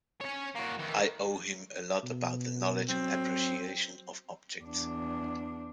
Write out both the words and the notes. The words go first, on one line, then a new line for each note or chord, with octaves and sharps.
I owe him a lot about the knowledge and appreciation of objects.
C#4 C#5
A#3 F#4
D#3 E3
B2
F#3 C4
E2 D4